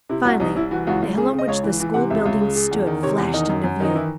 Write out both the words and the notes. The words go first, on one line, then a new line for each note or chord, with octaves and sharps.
Finally the hill on which the school buildings stood flashed into view.
C3 E4
C2 F#4
C2 D#4
C2 E4
E3 F#4
C#2 F#4
C#2
C#3 G#4
C#3
D#5
C#2 C#5
E3
E3
C3 F#5
C#2 E5
C#2
C#3
C#3
E2
D#3
C3 C#5
E2
D#3 D#4
F#2
F#2
D#3 D#4
E3 E4